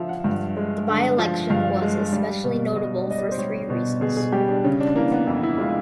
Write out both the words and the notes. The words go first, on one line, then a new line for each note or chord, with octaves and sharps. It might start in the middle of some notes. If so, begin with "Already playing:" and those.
The by-election was especially notable for three reasons.
Already playing: D3 F3 E5 F5
F#5
G2
G#3
D3
F3
G2 F5
G#3
G3
B2
B2 D#5
D5
G3 D#5
D5
C5
G3 C#5
B2
B2 G#4
G#4
G3 G4
D4
C#3 C#4
D4
E3 A#3
B3
F2 E4
E4
G#3 F4